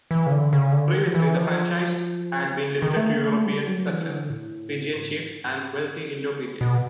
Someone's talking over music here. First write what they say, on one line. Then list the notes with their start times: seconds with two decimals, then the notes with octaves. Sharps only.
Previously, the franchise had been limited to European settlers, Fijian chiefs, and wealthy Indo-Fijians.
0.11 E3
0.26 C#3
0.32 D3
0.53 C#3
0.73 D3
0.94 D#3
1.06 F3
1.15 E3
1.35 F3
2.82 D#3
2.97 A3
3.11 A#3
3.25 A3
3.46 G3
3.67 F#3
3.88 E3
4.09 D3
4.30 A2
4.93 G#2
5.06 A2
5.19 G#2
6.61 B2